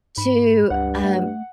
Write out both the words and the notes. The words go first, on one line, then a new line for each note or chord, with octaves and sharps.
to, um,
G#2 B5
C#2 G2 F#5
A3